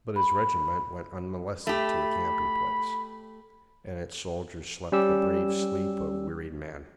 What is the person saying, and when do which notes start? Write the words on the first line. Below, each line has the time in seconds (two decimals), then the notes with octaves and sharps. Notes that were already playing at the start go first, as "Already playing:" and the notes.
But his regiment went unmolested to a camping place, and its soldiers slept the brave sleep of wearied men.
0.16 B5
1.67 A3 G4 B5
4.92 G3 C#4 G4 E6